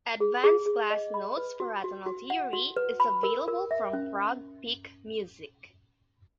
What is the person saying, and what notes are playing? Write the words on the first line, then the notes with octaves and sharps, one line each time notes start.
"Advanced Class Notes for Atonal Theory", is available from Frog Peak Music.
G#4
G#4
G#4
D#5
B5
B4
F#4
F#4
F#4
F#5
F#4
B4
B5
A#4
A#4
E5
C#4